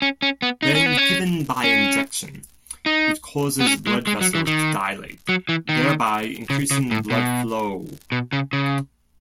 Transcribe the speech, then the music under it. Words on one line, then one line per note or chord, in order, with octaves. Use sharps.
When given by injection it causes blood vessels to dilate, thereby increasing blood flow.
C#4
C#4
B3
D#4
C#4
B3
C#4
C#4
D#4
B3
C#4
G#3
G#3
F#3
E3
D#3
F#3
E3
D#3
C#3
C#3
A2
B2
B2
C#3
C#3